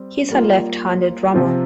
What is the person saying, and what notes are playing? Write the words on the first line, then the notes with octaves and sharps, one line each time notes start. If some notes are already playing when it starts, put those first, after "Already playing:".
He is a left-handed drummer.
Already playing: G3 C4
G3 A#3 F4
C3 F3 C4 F4